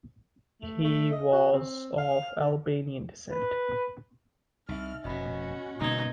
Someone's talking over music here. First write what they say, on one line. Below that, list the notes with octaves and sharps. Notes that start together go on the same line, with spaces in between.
He was of Albanian descent.
A3
A3
D#5
F#4
C4
F5
D3
B4
C2 D#4 E5 F6
F1 B2 C#4 F#4 D#5 B5
B2 D3 G3 A#3 B3 D#4 G#6